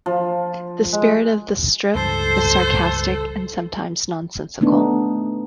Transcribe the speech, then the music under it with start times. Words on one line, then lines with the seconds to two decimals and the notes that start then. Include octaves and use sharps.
The spirit of the strip is sarcastic, and sometimes nonsensical.
0.06 F3
0.93 G#3
1.95 C#2 G2 E3 A4 C5
4.61 A3 B3 D4 D#4